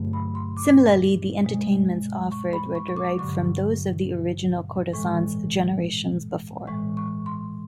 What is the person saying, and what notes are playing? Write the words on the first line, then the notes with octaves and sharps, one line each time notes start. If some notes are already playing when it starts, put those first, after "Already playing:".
Similarly, the entertainments offered were derived from those of the original courtesans generations before.
Already playing: G2 D3 F#3 A3
B5
C6
D6
B2 G#3
C#6
B5
C#6
C#6
D6
G2 D3 F#3 C#6
A2 E3 G#3 C#6
A2 E3 G#3 C#6
C#6
C6